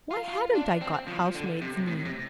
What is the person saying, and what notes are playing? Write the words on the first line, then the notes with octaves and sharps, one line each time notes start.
Why hadn't I got housemaid's knee?
F4
F4
D4
C4
F3
D3
C3
A2
C3